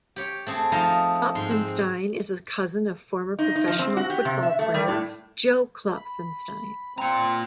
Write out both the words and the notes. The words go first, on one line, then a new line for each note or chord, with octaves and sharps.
Klopfenstein is a cousin of former professional football player Joe Klopfenstein.
G4 C#5
A3 C4 G#4
F3 A3 D#4 D#5 F5
G#2 C6
C4
D#4
D#4
F3
C4
F#4
G4
C3
E5
A3
G3
A2
B5
C4 F4 A#5